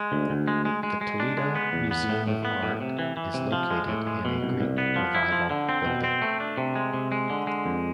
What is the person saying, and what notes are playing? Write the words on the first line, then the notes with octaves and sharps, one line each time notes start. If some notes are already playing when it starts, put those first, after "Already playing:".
The Toledo Museum of Art is located in a Greek Revival building.
Already playing: G#3
D2
D2
G#3
G#3
G#3
G#3
D4
G#3
B3
E2
B3
A2
A2
B3
A2
C3
E3
E3
C3
F3
G#3
A2
G#3
B2
C2
C2
B3
F3
E4
F3
D3
C4
B2
C4
A3
D4
C3
G#3
C3
G#3
D3
G#3
F2